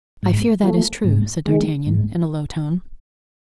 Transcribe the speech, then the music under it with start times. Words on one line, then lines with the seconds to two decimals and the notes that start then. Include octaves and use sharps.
"I fear that is true," said D'Artagnan, in a low tone.
0.23 G#2
0.63 F3 A3
1.04 G#2
1.46 D#3 G#3
1.87 G#2